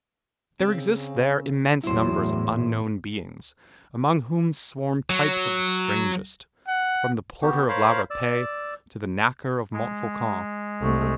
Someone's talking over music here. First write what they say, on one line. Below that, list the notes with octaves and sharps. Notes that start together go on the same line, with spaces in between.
There exist there immense numbers of unknown beings, among whom swarm types of the strangest, from the porter of la Rapee to the knacker of Montfaucon.
C#3 C4
E2 A2 F#3 E4 C5
F#3
F#5
B3 F#4 G4
A#4 C5 C#5 F5 B5
D5 E6
G#3
C2 A3